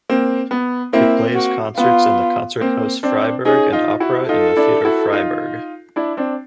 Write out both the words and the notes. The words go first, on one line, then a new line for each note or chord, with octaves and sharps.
It plays concerts in the Konzerthaus Freiburg and opera in the Theater Freiburg.
A#3 C4
B3
A#3 C4 E4
F#4
B3 F4
A#3 C4
C4 D4
C#4 D#4 G#4
D#4 F4
E4 F#4
D#4 F4 A4
D4 E4
E4 F#4
D#4 F4
D4 E4
C4 D4